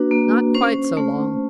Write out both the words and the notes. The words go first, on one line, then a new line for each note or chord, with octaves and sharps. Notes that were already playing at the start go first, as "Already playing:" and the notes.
"Not quite so long."
Already playing: A#3 D4 F#4 B4
A#3
C#4 C5
A3